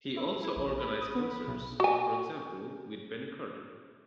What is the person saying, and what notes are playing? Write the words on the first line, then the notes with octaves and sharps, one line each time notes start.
He also organised concerts, for example with Benny Carter.
E4
E4
A#1
B5
D#6
B3
B5
B1
F#4 G#5